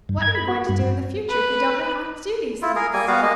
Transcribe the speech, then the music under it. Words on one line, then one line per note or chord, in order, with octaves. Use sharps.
"What are you going to do in the future if you don't know how to do these things?"
G2
G#6
B5
F#4
G2
B4
E4 F4
G#4 A#4
G3 A#3 G#5
G3 B3 F#4 F5
G#3 A#3 D#5